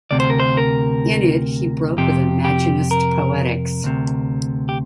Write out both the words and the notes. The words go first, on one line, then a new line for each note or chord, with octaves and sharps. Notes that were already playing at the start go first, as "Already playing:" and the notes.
In it he broke with imaginist poetics.
D2 C3 D5
C5
A#4
C5
A#4
F2 C3 G4
G4
A#4
D2 C3
G4